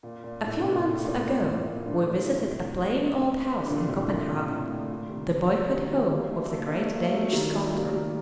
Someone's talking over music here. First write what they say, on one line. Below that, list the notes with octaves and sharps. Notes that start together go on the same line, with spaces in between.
A few months ago we visited a plain old house in Copenhagen, the boyhood home of the great Danish sculptor.
A#2
A#2
A2
C3
A#2
A2
A#2
A#2
A2
A#2
A#2 D3
A2
A#2
A2 C3
A#2 D3
A2 C3
A#2
A#2
A2
A#2
A#2
C3 D#3
D#3 G3
G3 A#3
G3 A#3
F#3 A3
A3
A#3
A3
A#3
A3
A#3
A3
A#3
F#3 A3
D#3 G3
F#3 A3
G3 A#3
D#3 G3